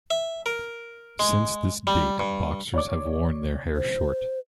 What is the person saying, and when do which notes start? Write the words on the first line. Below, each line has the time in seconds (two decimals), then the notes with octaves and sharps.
Since this date boxers have worn their hair short.
0.10 E5
0.46 A#4
1.19 G#3
1.87 G3
2.20 G2
2.74 C#5 D5 D6
3.75 C5